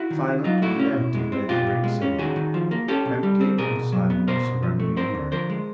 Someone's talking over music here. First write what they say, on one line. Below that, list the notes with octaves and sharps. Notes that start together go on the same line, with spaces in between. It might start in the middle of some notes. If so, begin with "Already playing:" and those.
Silent and empty lay the great city--empty and silent the surrounding air.
Already playing: E4 F#4
D#3
D#3
F#3 D#4 F4
A3 E4 F#4
C#4
B2
G#3
C4
B2 F4 G4
B2
G#3
C#4
D#3 F#4 G#4
D#3
F3
A#3
C#4 G4 A4
C3
G3
C4
B2 G#4 A#4
B2
F#3
B3
B2 A#4 C5
B2
F3
A3
C4 A#4 C5
D3
F3 A#4 C5
G#3